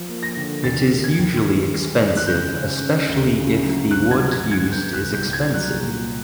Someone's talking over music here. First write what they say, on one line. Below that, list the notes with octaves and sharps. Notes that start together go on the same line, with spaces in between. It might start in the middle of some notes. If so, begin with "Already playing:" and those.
It is usually expensive especially if the wood used is expensive.
Already playing: F3
A#3
A#6
D3
D#2 A6
A#3
G#6
D#2
E3
G#3
E3
F#6
C#3 G6
C#3
C#3
D2
C#3
F#3
D2 F#6
G#6
F#3
G#6
F#3
G#6
B3 G6
F#6
C2
G6
C2
G#6
F#3 F#6
A#2